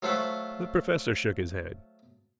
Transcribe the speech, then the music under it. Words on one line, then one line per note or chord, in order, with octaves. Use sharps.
The professor shook his head.
F#3 A3 F4 C5 E5 F#5